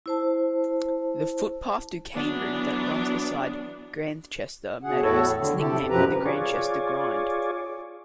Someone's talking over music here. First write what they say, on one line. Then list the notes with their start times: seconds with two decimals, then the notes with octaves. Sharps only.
The footpath to Cambridge that runs beside Grantchester Meadows is nicknamed the Grantchester Grind.
0.06 E4 C5 A5
2.14 E3 F#3 B3 D4
4.83 B2 G#4 F#5
5.02 E2 A2 E4 F#4 A4 C#5
5.39 D3
5.58 C3 E4 G4 A4
5.77 E2
5.90 F#2 B2 F3 G4 B4 A#5
6.26 F4 G#4 C#5 D5